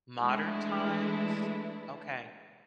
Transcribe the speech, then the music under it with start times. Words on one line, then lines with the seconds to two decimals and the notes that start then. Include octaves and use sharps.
modern times? Okay.
0.20 E3 G#3 A3 D4 E4